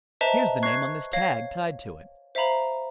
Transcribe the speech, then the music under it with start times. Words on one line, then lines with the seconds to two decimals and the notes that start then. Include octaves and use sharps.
Here's the name on this tag tied to it.
0.21 B4 C5 D#5 E5 A5 A#5
0.63 C#6 F#6 G#6 C7
1.13 C#5 F5 A#6
2.35 C5 E5 F5 A#5 B5